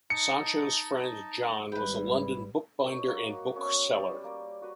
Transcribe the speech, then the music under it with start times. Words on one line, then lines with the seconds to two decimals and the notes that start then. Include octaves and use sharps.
Sancho's friend, John was a London bookbinder and bookseller.
0.10 D#4 D#5 A5 C#7
1.72 G#1 G3 E4 B4 G5
2.84 A#4 C#5 D#5 G5
3.07 A#3 F#4 F#5
3.55 B3 C#4 C#5
3.93 G3 A5
4.24 A#3 D5
4.62 F#4 B4